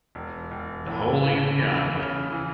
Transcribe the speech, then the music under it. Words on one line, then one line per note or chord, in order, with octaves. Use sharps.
The Holly and the Ivy.
E1
E1
A2
A2
E3
C#3
E3